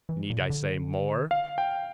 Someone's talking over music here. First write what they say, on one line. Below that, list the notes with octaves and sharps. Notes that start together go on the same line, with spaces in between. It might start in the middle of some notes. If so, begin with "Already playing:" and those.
Need I say more?
E3
A#2
C#3
D3
F5
G5